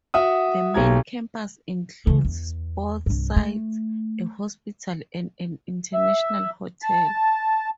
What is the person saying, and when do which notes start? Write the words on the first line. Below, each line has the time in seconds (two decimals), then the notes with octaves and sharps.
The main campus includes sport sites, a hospital, and an international hotel.
0.14 F#4 E5 F#5 D#6
0.74 B1 G4 A#5 G#6
2.07 C#3 E3
2.25 E2
3.06 C2 G2
3.37 A3
5.94 E5
6.82 A5